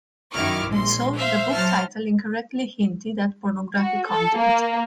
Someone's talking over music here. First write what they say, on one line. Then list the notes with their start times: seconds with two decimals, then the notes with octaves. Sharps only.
Also, the book title incorrectly hinted at pornographic content.
0.35 F#2 D#3 E4 C#6 D6 F6
0.69 A#1 G#3 C6
1.17 C5 E5 F5
1.52 F#3 C5 A5 F6
3.77 F#4
4.07 A4
4.37 A#3